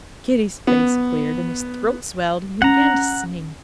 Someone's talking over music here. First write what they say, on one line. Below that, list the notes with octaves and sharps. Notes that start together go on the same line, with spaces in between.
Kitty's face cleared, his throat swelled and he began to sing.
B3
C#4 F#5 A#5